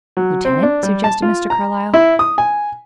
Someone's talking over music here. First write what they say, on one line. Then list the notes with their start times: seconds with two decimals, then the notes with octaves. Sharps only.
"Lieutenant?" suggested Mr. Carlyle.
0.17 F#3
0.45 C4
0.63 D4
0.83 G3
1.04 A5
1.22 F4
1.50 A#5
1.94 E4
2.19 D#6
2.38 G#5